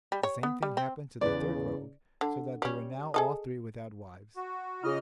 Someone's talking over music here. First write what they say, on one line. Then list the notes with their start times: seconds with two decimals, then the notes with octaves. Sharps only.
The same thing happened to the third rogue, so that they were now all three without wives.
0.12 G3
0.23 C#5
0.43 B3
0.63 G3
0.77 C4
1.21 E2 C#3 B4 D5
2.21 D3
2.62 G3 C#4
3.14 G#4 A4 D#5
4.37 F#4
4.84 C#3 F4 G#4 D#5 F6